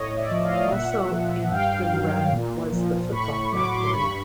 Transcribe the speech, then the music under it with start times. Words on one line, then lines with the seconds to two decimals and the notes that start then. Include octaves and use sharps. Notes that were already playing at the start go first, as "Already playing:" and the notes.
Also in Cwmbran was The Football Factory.
Already playing: A2 C#5 D#5
0.17 D5 E5
0.31 F3
0.44 D#5 F5
0.71 A#2 E5 F#5
1.11 F3
1.51 G2 F5 G5
1.92 D#3 F#3
2.32 A#2
2.72 F3
3.12 A2 B5 C#6
3.52 F#3 D6
3.75 C6 D6
3.92 G2 B5 C#6